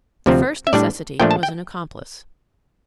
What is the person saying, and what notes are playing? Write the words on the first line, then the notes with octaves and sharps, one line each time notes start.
The first necessity was an accomplice.
D2 C3 F3 C4
E5
A2 G3 D4 D5
A#2 F3 A3 D4 G5
A5
G5